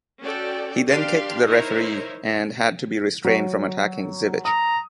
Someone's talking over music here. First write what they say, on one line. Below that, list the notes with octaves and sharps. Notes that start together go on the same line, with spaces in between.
He then kicked the referee and had to be restrained from attacking Zivic.
C#4 F#4 A4 D5 G5
D4 G4 F5 C6
D#4 E4 A#4 C5 C#5
F#3 C#5
A#5 D#6